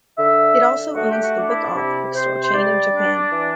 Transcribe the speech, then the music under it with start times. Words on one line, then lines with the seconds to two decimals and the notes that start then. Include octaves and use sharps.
It also owns the Book Off bookstore chain in Japan.
0.18 D3 E5
0.57 D3
0.96 A3 F#4
1.10 G4
1.23 F#4
1.36 D4
1.48 E4
1.74 C3 E4
2.13 C3 C5
2.44 C5
2.53 G3 D5
2.92 D4
3.32 E3